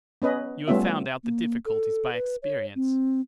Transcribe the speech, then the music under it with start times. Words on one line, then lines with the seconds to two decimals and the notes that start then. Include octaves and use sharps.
'You have found out the difficulties by experience.'
0.22 B3 C#4 B4 D#5
0.68 G3 A3 B3 C#4 F4 E5
1.24 A#3
1.65 A4
2.13 B4
2.43 C#5
2.75 C4